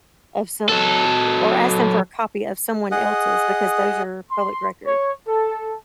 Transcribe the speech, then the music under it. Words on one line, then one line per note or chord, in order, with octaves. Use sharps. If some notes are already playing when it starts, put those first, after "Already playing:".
of som eh, or ask them for a copy of someone else's because those are public record
F#3 A4
G#4 D#5 F#5
C6
C#5
A4